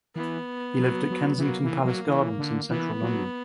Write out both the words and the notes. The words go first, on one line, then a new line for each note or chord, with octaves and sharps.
He lived at Kensington Palace Gardens in central London.
E3 B3
F#3
F#3
E3
F#3 A#3
E3
F#3
E3
D3
E3 B3
F#3